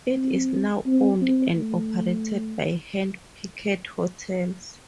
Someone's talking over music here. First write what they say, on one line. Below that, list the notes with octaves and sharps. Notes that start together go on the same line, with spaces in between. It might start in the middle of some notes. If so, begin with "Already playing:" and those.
It is now owned and operated by Hand Picked Hotels.
C4
C4
C4
A3